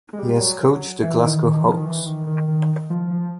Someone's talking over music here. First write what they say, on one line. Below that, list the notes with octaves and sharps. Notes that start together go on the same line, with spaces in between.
He has coached the Glasgow Hawks.
G#3
G3
F#3
F#3
E3
D#3
D#3
E3
F3
D#3
E3
D#3
D#3
D#3
F3
F3